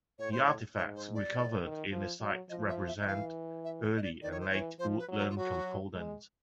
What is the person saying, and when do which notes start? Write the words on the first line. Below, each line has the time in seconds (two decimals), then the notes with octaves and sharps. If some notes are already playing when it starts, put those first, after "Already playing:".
The artifacts recovered in the site represent Early and Late Woodland components.
0.19 A2 C#5
0.32 C5
0.44 C#5
0.76 G#2 C#5
0.96 C5
1.15 D5
1.34 A2
1.63 D#3
1.91 F3
2.20 F#3
2.49 F3 D#5
2.69 E5
2.87 E5
3.01 E5
3.07 E3 F5
3.64 E5
3.97 D#5
4.03 D5
4.22 D#3 D5
4.31 C#5
4.40 C5
4.50 E3 C#5
4.79 F3 C5
4.99 B4
5.08 F#3
5.18 A#4
5.30 F4
5.37 F#3 F#4
5.95 G#3